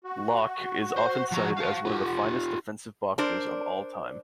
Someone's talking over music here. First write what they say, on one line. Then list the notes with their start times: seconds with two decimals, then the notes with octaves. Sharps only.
Locche is often cited as one of the finest defensive boxers of all time.
0.04 F#4
0.97 C5
1.32 F3 A#5
1.57 F5 A5
1.85 F4 G4
3.18 D4 A#4 C5 D5